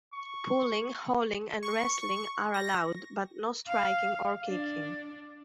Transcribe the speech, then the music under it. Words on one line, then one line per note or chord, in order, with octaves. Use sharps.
Pulling, hauling and wrestling are allowed, but no striking or kicking.
C#6
C#6
A#6
F5
D4